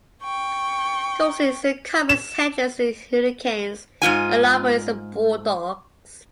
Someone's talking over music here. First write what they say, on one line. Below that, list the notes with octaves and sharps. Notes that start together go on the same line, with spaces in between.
Coulston is the Comets, Hendricks is the Hurricanes and Loper is the Bulldogs.
G5 C#6
E7
G#2 C3 F4 G#5